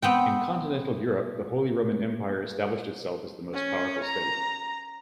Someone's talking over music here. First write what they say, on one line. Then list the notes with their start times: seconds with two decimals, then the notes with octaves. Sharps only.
In continental Europe, the Holy Roman Empire established itself as the most powerful state.
0.02 B3 C4 G5
3.54 C#4
4.05 A#5